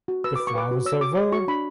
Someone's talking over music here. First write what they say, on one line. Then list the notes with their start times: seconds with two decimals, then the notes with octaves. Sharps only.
The flowers of var.
0.08 F#4
0.24 B4 E6
0.36 B4 D6
0.47 C#6
0.55 B4 D6
0.71 F#4
0.86 C#5 E6
1.01 F#4 D6
1.17 C#5
1.32 F#4 C#6
1.48 D4 B5